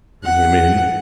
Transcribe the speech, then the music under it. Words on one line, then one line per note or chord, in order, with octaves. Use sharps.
"Bring him in."
F#5